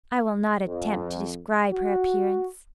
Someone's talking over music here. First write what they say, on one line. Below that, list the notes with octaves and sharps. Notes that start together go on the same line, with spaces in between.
I will not attempt to describe her appearance.
F2
F#4